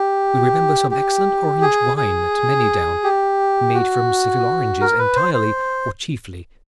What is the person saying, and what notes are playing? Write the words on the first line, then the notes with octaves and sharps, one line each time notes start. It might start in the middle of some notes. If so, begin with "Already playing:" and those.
We remember some excellent orange wine at Manydown, made from Seville oranges, entirely or chiefly.
Already playing: G4
G4
G#4
G#4
G4
F#4
A#4
B4
C5
C5